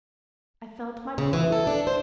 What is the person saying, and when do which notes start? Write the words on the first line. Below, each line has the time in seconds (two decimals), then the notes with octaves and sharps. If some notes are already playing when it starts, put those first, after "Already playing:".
I felt my pulse.
1.18 C#3
1.33 E3
1.52 A4
1.67 D4
1.87 C5